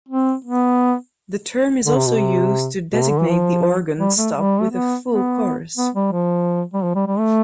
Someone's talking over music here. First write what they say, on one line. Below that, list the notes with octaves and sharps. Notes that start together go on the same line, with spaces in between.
The term is also used to designate the organ stop with a full chorus.
C4
B3
D3
C3
B2
C3
B2
C3
D3
E3
F3
G3
A3
G3
A3
B3
B3
B3
G3
F3
G3
F3
G3
G3
A3